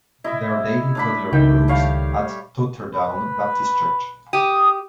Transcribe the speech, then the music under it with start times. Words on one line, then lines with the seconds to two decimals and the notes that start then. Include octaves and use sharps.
There are daily toddler groups at Totterdown Baptist Church.
0.24 E4 D#5
0.95 A2 D4 B5
1.33 C#2 D#3 G5
1.68 G3 C#5 F5
2.94 B4
4.33 G4 D#6